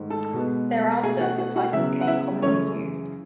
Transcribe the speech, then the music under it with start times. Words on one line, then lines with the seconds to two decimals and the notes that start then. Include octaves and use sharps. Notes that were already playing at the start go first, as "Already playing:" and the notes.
Thereafter, the title became commonly used.
Already playing: G#2 D#3 A3
0.10 A4 A5
0.33 B2 G#3 B3
1.03 B2 A3 G#4 G#5
1.21 F#4 F#5
1.38 F#4 F#5
1.56 F#4 F#5
1.73 C#3 F#3 B3 E4 E5
2.01 F#5
2.07 E4 E5
2.42 F#2 C#3 E3 A3 C#4 C#5